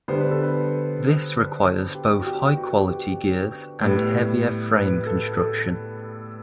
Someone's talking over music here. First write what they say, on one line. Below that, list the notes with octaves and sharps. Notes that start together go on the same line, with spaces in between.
This requires both high quality gears and heavier frame construction.
D3 G3 B3 C5
B4
A4
B4
G4
F#4
G4
F#4
G4
A2 G3 B3
B4
A4
A4